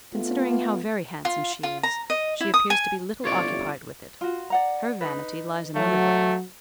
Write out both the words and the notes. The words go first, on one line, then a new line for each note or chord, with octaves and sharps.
Considering how very handsome she is, she appears to be little occupied with it; her vanity lies another way.
A3 B3 F4
F4
F4
A#5
D#5
E4
D#6
G#5
G1 A2 C3 F4 C#5 D5
F4 F#4
D5 F#5 A#5
D#4 B4
F#3 A3 F5